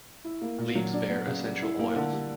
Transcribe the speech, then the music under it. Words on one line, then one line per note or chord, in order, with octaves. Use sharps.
Leaves bear essential oils.
E4
A#3
A#2
F#3
D4
B3
C#3
G3
E4
A#3
D3
G3